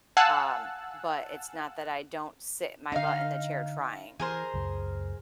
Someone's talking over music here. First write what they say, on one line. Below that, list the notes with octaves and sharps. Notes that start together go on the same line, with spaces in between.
Um, but it's not that I don't sit my butt in the chair trying.
F5 F#5 G#5 A5 E6 F#6
D3 D4 D#4 F5
E3 G#4 A#4 C5
C#2 F#2